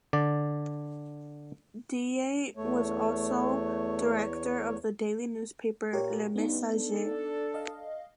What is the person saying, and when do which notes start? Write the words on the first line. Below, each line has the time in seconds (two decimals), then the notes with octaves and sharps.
Ndiaye was also director of the daily newspaper "Le Messager".
0.13 D3 D5
2.57 E2 A3 C#5
5.93 A#2 G4 A#4 C#5
6.36 G2 C#3 B3 D#4
6.71 D4 A4
7.54 D#5 F5